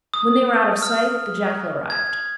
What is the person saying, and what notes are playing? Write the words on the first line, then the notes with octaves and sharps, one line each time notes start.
When they were out of sight the jackal arrived.
D#6
F6
G#6